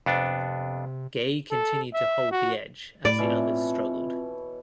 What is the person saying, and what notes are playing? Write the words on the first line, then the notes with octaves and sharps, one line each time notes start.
Gaye continue to hold the edge as the others struggled.
F2 C3 B3 D4
A4
E5
F#4
A2 D5 B5
B2 E3 C4 F4 C#5